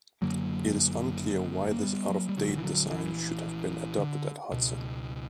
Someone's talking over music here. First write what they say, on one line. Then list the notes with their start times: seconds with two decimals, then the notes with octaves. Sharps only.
It is unclear why this out-of-date design should have been adopted at Hudson.
0.22 F#1 F#2 D3 F#3 A#3
1.71 A#3
1.83 G3 B3
2.09 F#3 A#3
2.29 G3
2.36 A#1 A#2 D3 F#3
2.58 E3
2.63 D3 F#3
2.90 E3
3.98 D3
4.51 C#2 B2